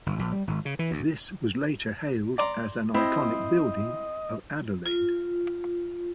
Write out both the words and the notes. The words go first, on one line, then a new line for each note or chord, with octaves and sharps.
This was later hailed as an "iconic building" of Adelaide.
G1
A#1
G3
G#1
C#3
E3
D2
D5 A#5 C6
C4 E4 D#5
F4